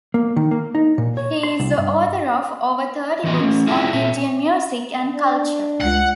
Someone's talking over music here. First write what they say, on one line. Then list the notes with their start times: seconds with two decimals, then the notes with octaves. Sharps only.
He is the author of over thirty books on Indian music and culture.
0.14 A#3
0.36 D#3
0.51 A#3
0.75 D#4
0.98 A#2
1.17 C#5
1.43 C6
1.60 C2
1.78 G2
3.24 E3 F#3 F4 D#5
3.39 A3 C#4
3.67 E4 F4 G#4 E5 A5
3.93 A#2 E5
5.13 D4
5.81 C#2 F#5